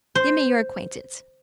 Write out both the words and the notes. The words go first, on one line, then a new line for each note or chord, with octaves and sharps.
Give me your acquaintance.'
C5